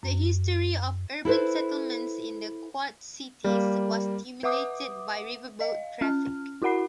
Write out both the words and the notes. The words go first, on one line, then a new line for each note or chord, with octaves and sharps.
The history of urban settlements in the Quad Cities was stimulated by riverboat traffic.
F#2
E4 A4 B4 C5
G3 A#3
B4 E5 F#5 D6 D#6
D#5 F5
C#4 F6
E4 F#4 A#4 F#5 B5 C7